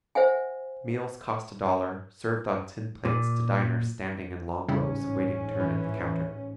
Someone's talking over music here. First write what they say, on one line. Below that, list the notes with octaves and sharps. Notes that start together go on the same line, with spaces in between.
Meals cost a dollar, served on tin plates to diners standing in long rows waiting turn at the counter.
C5 E5 F#5 G#5
A#2
A1 G#2 C#3 G3 C#4 E4
E3